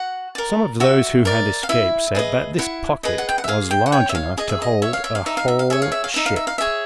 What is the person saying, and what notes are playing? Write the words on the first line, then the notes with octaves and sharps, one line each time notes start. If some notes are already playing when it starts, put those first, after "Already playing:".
Some of those who had escaped said that this pocket was large enough to hold a whole ship.
Already playing: F#4 F#5
A#4 D5
F#4 E5
A#4 D5
F5
E4 E5
G#4 B4 D#5
E4 F#5
G#4 B4 D#5
F#5
G5
F#5
E5
G#4 F5
G5
F#5
C#5 G5
E5
F5
G#4 D#5
E5
D#5
C#5 E5
F5
E5
F5
D#4 E5
F5
E5
F5
G#4 C#5 E5
F5
E5
F5
D#4 E5
F5
E5
F5
G#4 C#5 E5